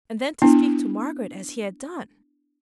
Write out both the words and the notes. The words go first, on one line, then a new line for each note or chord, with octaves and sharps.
And then to speak to Margaret as he had done!
B3 D4 E4